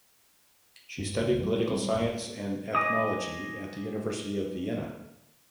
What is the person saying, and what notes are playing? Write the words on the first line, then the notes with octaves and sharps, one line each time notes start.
She studied political science and ethnology at the University of Vienna.
G2
B1 C#3
F#2 F3 G3
G#3
A1 G3 C4
E1 G#2 G#3 A3
D#5 G#5 D6 D#6